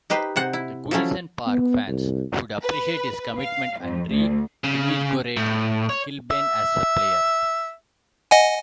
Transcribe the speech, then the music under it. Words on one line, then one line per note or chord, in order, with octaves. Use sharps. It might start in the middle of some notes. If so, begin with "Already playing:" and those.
The Goodison Park fans would appreciate his commitment and re-invigorate Kilbane as a player.
D#4 G4 B4 C5
C3 C5 F#5
E4
F3 F#3 A3 C#4 E4
B3
C2
B4
F5
F2
D2
C#3
A2
C#5
E5
D#5 F#5 G#5